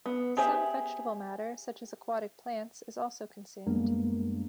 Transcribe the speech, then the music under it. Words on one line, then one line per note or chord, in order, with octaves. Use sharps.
Some vegetable matter such as aquatic plants is also consumed.
B3
G4 G#4 C5 E5
F#2 G3 G#3 A#3 B3 D4